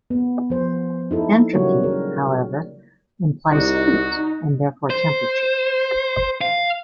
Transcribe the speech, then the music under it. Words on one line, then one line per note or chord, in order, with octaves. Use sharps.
Entropy, however, implies heat and therefore temperature.
B3
F3 C5
D#4 E4 A4
C#3 F#3 G3 A#3 F#4 C#5
A#4
C2 D#4 F#4 D5
C5
F5